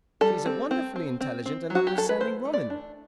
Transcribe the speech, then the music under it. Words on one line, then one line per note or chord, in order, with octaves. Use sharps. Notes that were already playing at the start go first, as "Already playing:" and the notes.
She is a wonderfully intelligent and understanding woman.
G3 A4
C4
C4
C4
C4
C4
F#3
F#4
G4
F#3 A4
B4
E3 C5
A3
D5
D4